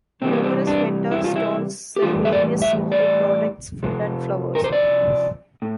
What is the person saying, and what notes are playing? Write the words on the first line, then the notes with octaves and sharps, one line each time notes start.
Numerous vendor stalls sell various local products, food, and flowers.
C3 E3 G3 C4
A#3
C4
D4
E4
F4
E4
G4
A2 E3 G3 F4
E5
D5
E5
D5
C3 F3
A#4
C5
D5
A2